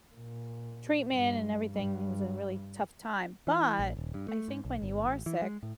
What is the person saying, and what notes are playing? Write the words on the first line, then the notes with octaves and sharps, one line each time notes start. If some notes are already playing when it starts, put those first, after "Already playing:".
treatment and everything, it was a really tough time, but I think when you are sick,
A#2
G2
G2
E3
A#1
D#1
G2
A3
G#2
B1
G1
A1
E3
G#3
A2